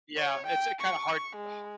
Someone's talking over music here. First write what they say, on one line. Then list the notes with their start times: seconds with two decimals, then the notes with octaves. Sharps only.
Yeah, it's, uh, kinda hard ha
0.17 C#5
0.46 G5
0.80 C#6
1.36 G#3